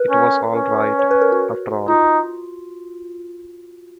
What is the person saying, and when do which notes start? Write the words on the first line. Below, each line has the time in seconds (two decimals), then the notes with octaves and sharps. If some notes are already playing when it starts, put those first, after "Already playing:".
It was all right, after all.
Already playing: A#4 B4
0.10 C#4
0.54 C#4
0.99 C#5
1.11 B4
1.21 A#4
1.32 F#4
1.88 D#4 F4